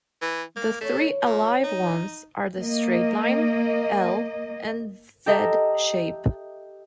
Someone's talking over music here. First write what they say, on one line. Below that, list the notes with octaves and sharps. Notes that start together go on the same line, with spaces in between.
The three alive ones are the straight line, L and Z shape.
E3
A#3
E2 A3 C#5
A#2
D#4
A#3 D#5
G4 A4 D#5 E5 A#5